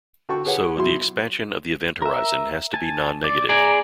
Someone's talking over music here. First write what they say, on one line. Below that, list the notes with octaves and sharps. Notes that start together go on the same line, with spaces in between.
So, the expansion of the event horizon has to be nonnegative.
D3 F#4 G5 A5 C#6
G4 G#4 B4 C#5 F#5
F#2 B2 F#3 E4 C6
A#4 E5
G#5 A5
D5
G#4 D5 A#5